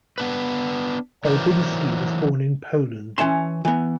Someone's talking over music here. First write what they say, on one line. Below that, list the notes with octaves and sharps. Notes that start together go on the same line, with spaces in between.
Olbinski was born in Poland.
B3 D4 B4
E3 F#3 A#4 C5 D5
E3 C#4 E5 A5 C6
E3 B3